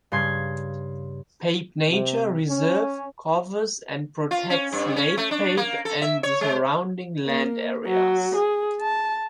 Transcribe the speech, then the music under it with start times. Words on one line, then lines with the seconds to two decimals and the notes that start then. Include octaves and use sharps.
Pape Nature Reserve covers and protects Lake Pape and the surrounding land areas.
0.12 G2 C#3 C6 G#6
1.89 C3
2.48 C#4
4.31 F4
4.50 C#4
4.72 G2
4.96 C#4
5.18 A3
5.31 D4
5.57 A#3
5.85 A4
6.02 E5
6.23 C#5
6.41 G#3
7.26 A#3
7.86 F#3
8.36 G#4
8.81 A5